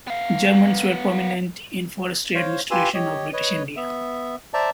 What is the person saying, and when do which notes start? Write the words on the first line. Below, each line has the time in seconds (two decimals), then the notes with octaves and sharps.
Germans were prominent in the forestry administration of British India.
0.07 B3 F5
2.35 C5 C#5 F5
2.71 F4 G4 B4 G#5 C6 E6
2.94 G4 C#5 D#5
3.33 B4 C#5 D#5
3.76 B3 E5
4.54 C5 D5 E5 A5 A#5